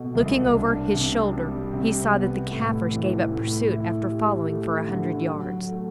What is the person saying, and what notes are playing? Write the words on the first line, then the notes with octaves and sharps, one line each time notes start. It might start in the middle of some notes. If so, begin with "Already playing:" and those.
Looking over his shoulder he saw that the Kaffirs gave up pursuit after following for a hundred yards.
Already playing: B2 A3
C2
D4
C3
G3
C3
B3
A2
E3
A2
E4
G4
A3
D3
F#3
A3